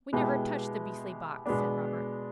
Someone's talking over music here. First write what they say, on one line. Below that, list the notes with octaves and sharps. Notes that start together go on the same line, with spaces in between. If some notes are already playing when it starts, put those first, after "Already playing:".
'We never touched the beastly box,' said Robert.
B2 G#3 B3 E4 G4
B2 G#3 B3 D4